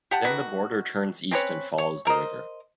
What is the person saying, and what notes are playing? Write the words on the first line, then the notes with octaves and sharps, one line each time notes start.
Then the border turns east and follows the river.
G4 F#5 A5
D3 D#3 F#4 B4
C4 C#4 B4 C#5
C#5
A3 A#4 C5 D#5